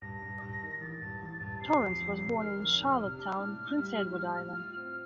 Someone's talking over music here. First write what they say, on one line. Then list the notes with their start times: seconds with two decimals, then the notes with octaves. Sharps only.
Torrens was born in Charlottetown, Prince Edward Island.
0.02 G2 A#6
0.22 G2
0.42 G2
0.62 D#3
0.81 A1 A6
1.01 G2
1.21 A1
1.40 G2
1.60 C3 C7
1.80 F2
2.00 F1
2.20 C3
2.39 D#3 F6
2.60 F1
2.79 C3
2.99 C3
3.18 D4
3.38 A2
3.58 A2
3.78 G3
3.98 A2
4.17 G3
4.37 A2
4.57 F4
4.77 C4